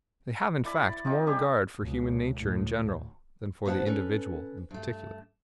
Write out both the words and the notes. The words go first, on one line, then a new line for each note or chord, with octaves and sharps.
They have in fact more regard for human nature in general than for the individual in particular.
E4 D5 B5
F3 C4 D#4
D3 G3 G4 G#4
C#2 B2
D2 A2
C3 F3 B3 F5 F#5 A5
C#4 A4 B4
G2 A3